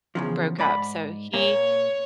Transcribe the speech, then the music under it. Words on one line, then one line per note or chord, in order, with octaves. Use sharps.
broke up, so, he
E2 C#3 F3
G#2 D5 B5
A#2 A#3 C#5